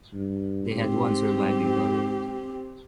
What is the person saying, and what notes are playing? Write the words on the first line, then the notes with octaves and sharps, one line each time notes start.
They had one surviving daughter.
G2
G#2 C4 G4